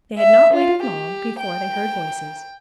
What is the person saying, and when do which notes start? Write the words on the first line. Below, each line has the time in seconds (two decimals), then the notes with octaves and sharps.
They had not waited long before they heard voices.
0.19 E5
0.54 F4
0.83 G4
1.40 G5